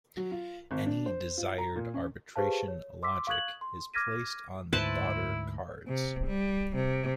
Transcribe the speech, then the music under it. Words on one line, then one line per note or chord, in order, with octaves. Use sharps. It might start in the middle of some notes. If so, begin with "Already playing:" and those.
Any desired arbitration logic is placed on the daughter cards.
F#3
F4
G#1
D4
C5
F4
A#5
A#2
C#4
G4 G#4 B4 C5 F5 A5
C#5
C6 D6 E6 B6
F5 C#6 D#6 F#6 G#6 F#7
C6
D6 F6 G#6 A#6 B6 D#7
D2 G#2 E4 B4 C5 A5
C3
G3
C3